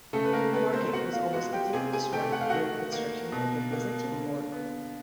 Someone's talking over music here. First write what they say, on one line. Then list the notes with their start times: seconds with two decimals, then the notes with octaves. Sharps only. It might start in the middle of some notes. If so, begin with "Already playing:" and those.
The market was almost completely destroyed during the construction of the Byzantine fort.
0.13 C#3 A3 A4
0.24 B4
0.33 A#3 A#4
0.53 A#3 B3 B4
0.73 C4 C5
0.93 B3 F#4 F#5
1.13 F4 F5
1.33 G#3 F#4 F#5
1.53 G4 G5
1.73 C3 G#4 G#5
1.93 G#4 G#5
2.13 A3 G4 G5
2.32 F#5
2.41 F5
2.49 D#3 F#4 F#5
2.92 A#3
3.32 B2
3.72 A#3
4.12 D3
4.52 B3